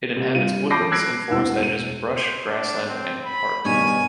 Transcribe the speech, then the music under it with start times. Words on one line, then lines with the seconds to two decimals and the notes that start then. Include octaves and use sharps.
It inhabits woodlands and forest edges, brush, grassland, and parkland.
0.16 C3
0.35 G2 F4 D#7
0.70 A5 B5 D6 G6 A#6 C7
0.91 E6 F#6 G#6 A#6 C7 D7
1.30 E1 E4 F#5 E6
1.59 E1 D#7
2.16 C5
2.46 D4
2.88 C4
3.24 B5
3.65 G2 B2 D#3 C#5 G#5